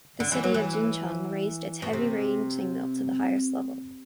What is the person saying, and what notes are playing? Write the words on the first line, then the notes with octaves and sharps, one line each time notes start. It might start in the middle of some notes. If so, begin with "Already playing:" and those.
The city of Jincheng raised its heavy rain signal to the highest level.
D3
E3
F#3
E3
B2
C3